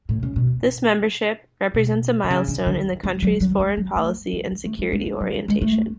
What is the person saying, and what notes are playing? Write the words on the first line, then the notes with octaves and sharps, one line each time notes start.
This membership represents a milestone in the country's foreign policy and security orientation.
A2
C#3
B2
B2
D3
C#3
D3
D3
F#3
F#3
F#3
G#3
F#3
A3
F#3
G#3
A3
G#3
G#3
G#3
F#3
F#3
G#3
A3